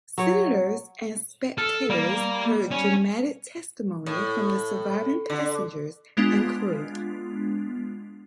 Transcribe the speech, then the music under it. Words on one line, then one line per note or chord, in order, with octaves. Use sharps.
Senators and spectators heard dramatic testimony from the surviving passengers and crew.
F#3 C#5
A4 F6
G3 A#3
C#4
A2
D3
G#3 B3 D4 F4